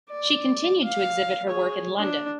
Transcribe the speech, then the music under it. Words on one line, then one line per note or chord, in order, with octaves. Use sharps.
She continued to exhibit her work in London.
D5
F5
G#4 C#5
D4